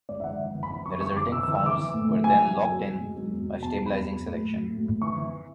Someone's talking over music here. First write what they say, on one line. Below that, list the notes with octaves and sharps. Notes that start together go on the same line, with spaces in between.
The resulting forms were then "locked in" by stabilizing selection.
G#2 D5
E5
E3 F#5
E3
E3
B5
E3
F#2 C#6
E3 C#6
E3 D6
E3 E6
E6
E3
E6
E3 D6
E3
A2
E3
F#3 G#5
F#3
F#3
F#3
F#3
G#2
F#3
E2
B2
E2 A5
F#3
B5
E2
F#3
A2
A2
F#3
A2
A2
E3 C#6
E3